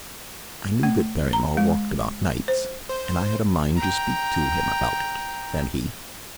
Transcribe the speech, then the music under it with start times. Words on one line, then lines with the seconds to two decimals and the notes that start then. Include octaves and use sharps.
"I knew that Barrymore walked about nights, and I had a mind to speak to him about it," said he.
0.83 A3
1.33 A#5
1.57 G#3
2.48 C5
2.89 C5
3.75 G5 A#5